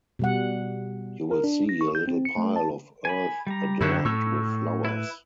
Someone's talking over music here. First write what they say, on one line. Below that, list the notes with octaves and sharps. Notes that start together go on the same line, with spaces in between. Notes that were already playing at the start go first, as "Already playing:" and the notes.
You will see a little pile of earth adorned with flowers.
B2 G3 F#5
A#4
D4
A#6
C#6
G6
C4
C#7
A3
A5
G#5 B5
G3 A#5
F#2 D3 E4 B4 C#5
A2 C#6 E6
E4 B4